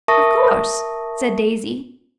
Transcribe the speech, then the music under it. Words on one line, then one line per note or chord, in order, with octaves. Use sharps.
"Of course!" said Daisy.
A#4 E5 A5 C#6 D#6 A#6